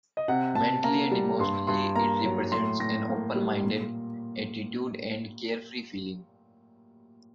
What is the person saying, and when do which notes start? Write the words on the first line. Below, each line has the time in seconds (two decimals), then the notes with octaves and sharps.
Mentally and emotionally, it represents an "open-minded" attitude and carefree feeling.
0.17 D#5
0.28 C3 F#5
0.55 C3 A5
0.84 A#3 A#5
1.11 G3
1.39 G2 C6
1.67 G2 C6
1.95 A#3 A#5
2.24 F#3
2.52 A2 C6
2.80 A2 A#6
3.08 A#3
3.36 G3
3.64 A#2